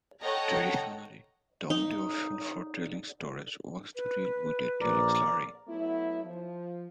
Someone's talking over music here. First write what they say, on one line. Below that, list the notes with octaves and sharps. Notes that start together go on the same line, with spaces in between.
Traditionally, the only option for tailings storage was to deal with a tailings slurry.
A4 C#5 D#5 F#5 G5 A#5
D#4
B4
A#1 A#4 D5
F#3 A3 B3 E4
F3